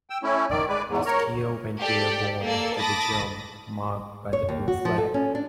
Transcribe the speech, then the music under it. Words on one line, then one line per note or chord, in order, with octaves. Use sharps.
The skier went airborne after the jump marked by the blue flag.
G5 E6
A3 C#4 E4
D#3 D5
G#3 B4 D5
E2 G#2
A#4 C#5
G4 A4 D5 G5
A#3 A4 D5 E6
A5 B5 D6 D#6 A6 A#6
C#5
D#2
F#4
F3
A4
C#4
D4